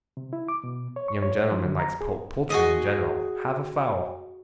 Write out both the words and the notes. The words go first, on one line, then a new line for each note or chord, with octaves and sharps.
Young gentlemen likes poultry in general: have a fowl!'
C3
E4
D6
B2
C#5
C#6
C#5
F3
D3
A#5
G#4
F#4 G#4 D#5